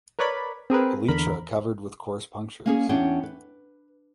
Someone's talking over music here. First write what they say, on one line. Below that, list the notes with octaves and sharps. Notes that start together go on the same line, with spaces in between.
Elytra covered with coarse punctures.
A#4 B4 C#5 D5 B5
C4 G#4 A#4 B4
E2 D3 A#4 B5
A#3 C#4 G#4
E2 C#4 D4 G4 F#5 G5
B4